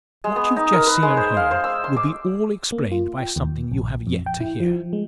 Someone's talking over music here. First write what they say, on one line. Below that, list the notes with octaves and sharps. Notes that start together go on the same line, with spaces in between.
What you've just seen and heard, will be all explained by something you have yet to hear.
G#3
B3
D#4
A#4
B4
G#3
C5
F5
C5
E6
C6
D6
A#3
F4
G5
D#2
A#1
F2
G5
E4
F3
G#3